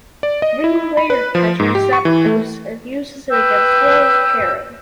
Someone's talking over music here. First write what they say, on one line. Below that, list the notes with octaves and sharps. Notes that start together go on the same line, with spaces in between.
Green later captures Zapdos and uses it against Will and Karen.
D5
D#5
E4
B5
B4
F3
G#2
G4
C#6
E3
A3
B4 G5 E6 G6